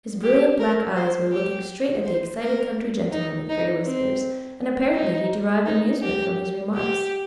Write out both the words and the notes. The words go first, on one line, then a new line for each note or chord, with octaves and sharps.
His brilliant black eyes were looking straight at the excited country gentleman with gray whiskers, and apparently he derived amusement from his remarks.
G4
A#4
C5
G4
C5
A#4
D#4
D#4
C4
D#4
D#4
G4
G4